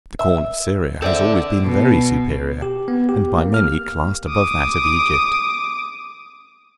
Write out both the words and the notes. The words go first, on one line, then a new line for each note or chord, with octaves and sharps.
The corn of Syria has always been very superior, and by many classed above that of Egypt.
E5
C4 A4 D5 E5
B2
G4
B3
G4
A#3
F6
D6 D#6